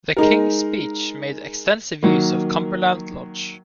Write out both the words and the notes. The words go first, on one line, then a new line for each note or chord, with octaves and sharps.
"The King's Speech" made extensive use of Cumberland Lodge.
G#3 D#4 A#4
D#3 F#3 A#3